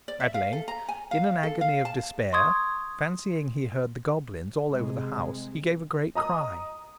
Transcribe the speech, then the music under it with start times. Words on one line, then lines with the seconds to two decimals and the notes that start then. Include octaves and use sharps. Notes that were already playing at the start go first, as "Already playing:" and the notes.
At length in an agony of despair, fancying he heard the goblins all over the house, he gave a great cry.
0.08 D5
0.20 E5
0.34 F5
0.53 A4
0.68 A#5
0.89 G#5
1.11 F5
1.43 A4
1.61 F5
1.85 A5
2.33 C6 C#6 D#6 G#6
4.71 C3 G#3
6.15 D#5 A#5 D#6